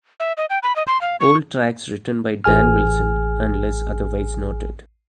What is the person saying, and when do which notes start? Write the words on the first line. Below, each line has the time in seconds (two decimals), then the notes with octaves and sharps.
All tracks written by Dan Wilson unless otherwise noted.
0.20 E5
0.37 D#5
0.50 G5
0.63 B5
0.76 D#5
0.87 C6
1.01 F5
1.20 C#6
2.44 A1 G#4 G#5 F6